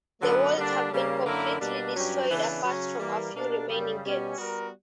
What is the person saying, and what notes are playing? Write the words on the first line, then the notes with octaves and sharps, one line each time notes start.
The walls have been completely destroyed apart from a few remaining gates.
F#2 D3 F#3 B3
D3 G3 A#3 D4
C#3 G3 A#3
F#2 D3 A#3 E4 A#4
B2 G3 A#3 D4
G2 F#3 C#4 G4
C#3 E3 B3 D4
C#3 F#3 C#4
E3 G3 A#3
B2 A#3 D4 G4
F#2 C#3 G3
B2 G3 C#4 G4
G3 B3 F#4 A#4